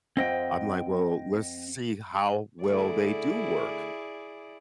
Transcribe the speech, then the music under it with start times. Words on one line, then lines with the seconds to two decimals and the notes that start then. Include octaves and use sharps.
I'm like, "Well, let's see how well they do work."
0.17 F2 C4 C5 D#5 F#5 G5
2.64 D3 A3 E4 G#4 D5